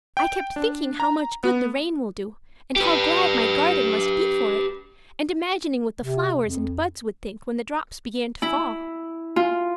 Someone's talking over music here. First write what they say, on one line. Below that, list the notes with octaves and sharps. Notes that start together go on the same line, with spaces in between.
I kept thinking how much good the rain will do and how glad my garden must be for it, and imagining what the flowers and buds would think when the drops began to fall.
G5
D4
A#5
B3
G4 B4
C3
F2
E4
F4